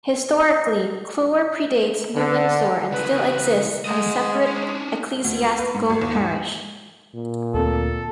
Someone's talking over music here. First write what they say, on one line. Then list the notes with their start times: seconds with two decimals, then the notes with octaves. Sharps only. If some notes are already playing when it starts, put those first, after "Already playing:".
Historically, Clewer pre-dates New Windsor and still exists as a separate ecclesiastical parish.
2.16 D3
2.92 C#3 E3 B4
3.85 G#3 C5 D#5
4.47 C#4 D4
5.24 D2
5.42 C#2
5.58 B4
5.75 G#2
5.90 G#1
6.02 D#2
6.15 G#2
7.15 A#2
7.54 D2 C4 A4